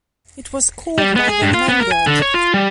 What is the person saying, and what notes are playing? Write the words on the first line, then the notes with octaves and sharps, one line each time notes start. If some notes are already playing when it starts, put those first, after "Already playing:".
It was called by them "mangurt".
G3
B3
G#4
G2
F4
B3
A#4
G#5
D3
C#5
F4
G3